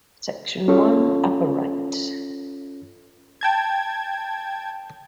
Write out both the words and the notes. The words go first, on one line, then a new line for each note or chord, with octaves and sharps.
Section One - Upper Right.
C#4 F4 A4 C#5
G5 A5 G#6